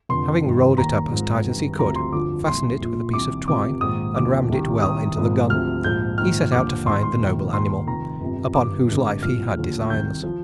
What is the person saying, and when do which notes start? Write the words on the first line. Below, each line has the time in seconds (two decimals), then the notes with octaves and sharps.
Having rolled it up as tight as he could, fastened it with a piece of twine, and rammed it well into the gun, he set out to find the noble animal upon whose life he had designs.
0.09 F1 F2 D3 C6
0.43 G1 G2 D#3
0.77 D#2 D#3 A#5
1.11 G#1 G#2 F3
1.45 G#1 G2 D#3
1.79 D2 C3 F3 A#5
1.96 C6
2.12 G1 F2 D3 F3 D6
2.47 C2 A#2 F3 C6
2.81 A#1 A#2 F3
3.13 C2 C3 D#3 D6
3.48 F1 F2 C3 D6
3.81 A#1 G#2 D#3 D#6
4.16 D#2 D3 F3 D6
4.49 C2 C3 D#3
4.82 C2 C3 D#3 D#6
5.17 G#1 G#2 F3
5.50 D2 C3 F3 F6
5.84 A#1 G#2 F3 G6
6.18 A#1 G#2 D#3 F6
6.52 D#2 D3 F3 D6
6.86 G#1 G#2 D#3 C6
7.03 C6
7.19 A#1 G#2 D#3
7.53 D#2 D#3 C6
7.87 F1 F2 D#3 A#5
8.20 G1 F2 C3
8.54 G1 G2 D#3 D6
8.89 G#1 G2 D3
9.23 C2 A#2 F3 F6
9.57 D#2 D3 F3
9.90 C2 C3 D#3 G6
10.23 F3